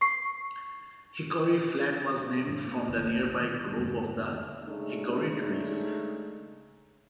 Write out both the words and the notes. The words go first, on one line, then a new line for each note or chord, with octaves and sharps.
Hickory Flat was named from a nearby grove of hickory trees.
C#6 C7
A2 C#3 E3 A3
A#3
F#1 D2 D3 E3
A1
B2 D#3
F2 G#2 D3 G#3
C#3 G#3 A3 D4 D#4